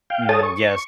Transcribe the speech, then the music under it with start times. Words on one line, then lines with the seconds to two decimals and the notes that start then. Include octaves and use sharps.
Mm, yes.
0.10 F5 G5
0.29 A4 C#5 G#5 A5 D#6 A6
0.43 C#6